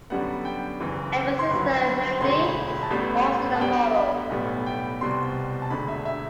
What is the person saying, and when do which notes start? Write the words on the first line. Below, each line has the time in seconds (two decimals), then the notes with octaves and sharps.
Emme's sister Melanie is also a model.
0.10 F#2 D3 G3 B3 F#5
0.45 G5
0.80 F#1 F#2 E3
1.39 C6
1.50 G1 G2 F#3 B5
1.85 B5
2.21 E1 D2 D3 C6
2.44 B5
2.68 B5
2.83 A5
2.90 A1 A2 G3 B3 B5
3.55 A5
3.60 D2 D3 G3 B3 G5
3.96 B5
4.30 B1 A2 G3 B3
4.66 G5
5.00 C2 B2 G3 C4 C6
5.62 A5
5.70 E1 D2 D3 B5
5.88 E5
6.05 E5